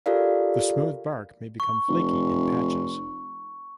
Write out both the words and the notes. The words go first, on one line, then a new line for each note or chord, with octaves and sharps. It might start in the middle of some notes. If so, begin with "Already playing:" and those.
The smooth bark may become flaky in patches.
F4 G4 A4 A#4 D5 F5
C#6
F1